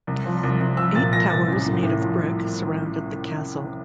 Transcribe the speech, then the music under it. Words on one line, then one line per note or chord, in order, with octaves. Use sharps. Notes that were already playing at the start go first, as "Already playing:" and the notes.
Eight towers made of brick surrounded the castle.
C2
F3
C2
C2
F3 E6
A#2 A6
F3 A#6
C2 A6
A1
A2
A2
F3